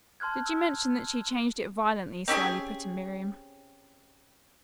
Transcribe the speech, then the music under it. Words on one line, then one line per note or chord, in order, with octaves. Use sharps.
"Did you mention that she changed it violently?" slyly put in Miriam.
A5 C6 F6 F#6 G#6
E6
C4 C#4 G4 G#4